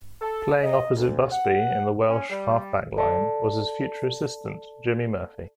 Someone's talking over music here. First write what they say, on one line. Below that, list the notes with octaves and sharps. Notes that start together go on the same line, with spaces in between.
Playing opposite Busby in the Welsh half-back line was his future assistant Jimmy Murphy.
A4
D#5
D2
F#5
C#4
G3
A4 D5 A5